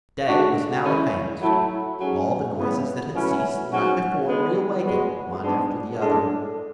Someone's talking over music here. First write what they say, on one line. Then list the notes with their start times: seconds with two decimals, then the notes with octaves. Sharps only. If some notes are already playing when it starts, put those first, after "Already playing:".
Day was now advanced; all the noises that had ceased the night before reawakened, one after the other.
0.27 D3 G#3 D4 F#4
0.84 G#3 C#4 E4 G#4
1.41 A2 F#3 A3 E4
1.99 G#2 F#3 C#4 G#4
2.56 C#3 E3 B3
3.13 A2 F#3 C#4 E4 B4
3.71 G#2 F#3 C#4 F#4
4.28 D3 G#3 B3
4.85 A2 G#3 B3 F#4 B4
5.43 G#2 G#3 B3 D4
5.99 A2 G#3 D4 A4